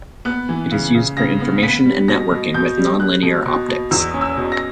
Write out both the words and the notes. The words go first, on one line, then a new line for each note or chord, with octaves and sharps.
It is used for information and networking with nonlinear optics.
B3 F#6
E3
C#3
C#3
C#3 A#6
B3
B3 B6
G3
B2 A#6
B2
B2 G6
G3
G3 F#6
B2
B2
B2
E2 E6
C#4
E6
B2
A#6